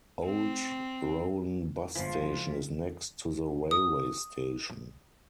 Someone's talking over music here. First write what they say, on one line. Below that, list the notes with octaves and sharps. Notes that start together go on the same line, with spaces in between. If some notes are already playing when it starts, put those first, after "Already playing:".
Old Roan bus station is next to the railway-station.
C4
G1 F2 F3 G#3 E4 F4 B4 G#5
D#6